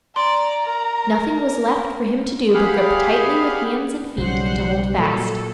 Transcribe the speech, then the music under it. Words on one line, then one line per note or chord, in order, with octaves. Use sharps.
Nothing was left for him to do but grip tightly with hands and feet and to hold fast.
D5 A#5 C6
A#4
G4 G#4 F5 F#5 B5 F6
B1 C#3 F#3 G3 C5 F#5
A#2 F#3 A4